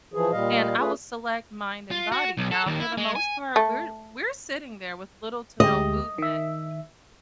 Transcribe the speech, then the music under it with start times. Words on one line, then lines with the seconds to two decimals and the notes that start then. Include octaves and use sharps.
and I will select Mind and Body. Now for the most part, we're we're sitting there with little to no movement.
0.13 E3 F3 G#4
0.32 A#2 G3 D#5 F5
0.78 A3 F4 G#4 B4
1.91 F4
2.12 F#4
2.37 B1
2.51 A4
2.67 D#2
2.80 E4
2.98 G#3
3.15 G#5
3.56 A3
5.60 D2 G#3 G4 D#5
6.18 D#3 E5